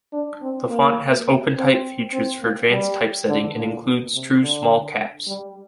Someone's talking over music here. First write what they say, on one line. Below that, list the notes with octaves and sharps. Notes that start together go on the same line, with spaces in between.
The font has OpenType features for advanced typesetting and includes true small caps.
D4
C4
A#3
C4
C4
A#3
G3
D3
A#2
C3
D3
G3